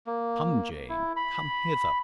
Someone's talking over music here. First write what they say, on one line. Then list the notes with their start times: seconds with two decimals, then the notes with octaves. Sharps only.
"Come, Jane--come hither."
0.07 A#3
0.89 E4
1.17 B5